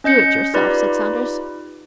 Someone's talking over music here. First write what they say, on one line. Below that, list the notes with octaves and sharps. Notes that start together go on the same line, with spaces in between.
"Do it yourself," said Saunders.
C#4 D#5 G6 C#7
D#4 F4 G4 B4 D5 B5